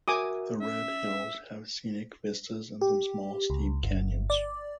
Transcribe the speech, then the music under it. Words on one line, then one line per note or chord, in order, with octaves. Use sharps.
The Red Hills have scenic vistas and some small steep canyons.
F#4 A#4 E5 G#5 D6 D#6
C#4 E5
G4
C#2
G1
D5